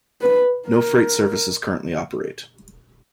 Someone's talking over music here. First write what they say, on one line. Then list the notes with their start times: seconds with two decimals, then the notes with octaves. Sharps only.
No freight services currently operate.
0.21 B4
0.68 A#4